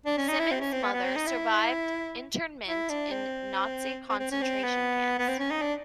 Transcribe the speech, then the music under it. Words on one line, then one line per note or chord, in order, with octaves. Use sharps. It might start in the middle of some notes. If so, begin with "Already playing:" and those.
Simmons' mother survived internment in Nazi concentration camps.
D4
C#4
D#4
E4
C4
C#4
C4
B3
B3
C4
D#4
E4
E4
D4
C4
C4
C4
C#4
C4
B3
B3
C4
C#4
D#4
D4